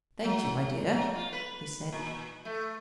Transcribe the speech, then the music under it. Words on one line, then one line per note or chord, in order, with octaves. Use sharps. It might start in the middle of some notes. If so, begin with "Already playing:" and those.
"Thank you, my dear," he said.
F#3
F#3
F4
B4
A#2
A3